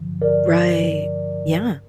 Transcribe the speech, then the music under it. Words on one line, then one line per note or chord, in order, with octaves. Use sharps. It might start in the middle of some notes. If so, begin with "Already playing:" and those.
Right, yeah.
Already playing: G2 D3 F3
A#4 D5